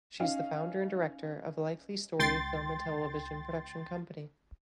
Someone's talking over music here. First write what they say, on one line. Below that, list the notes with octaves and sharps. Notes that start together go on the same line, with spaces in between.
She is the founder and director of "likely story" film and television production company.
C#4 D#4 F5
C#2 G5 C6 A6